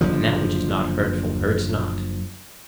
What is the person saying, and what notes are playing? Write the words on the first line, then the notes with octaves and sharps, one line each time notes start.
And that which is not hurtful hurts not?
F#1 D3 F3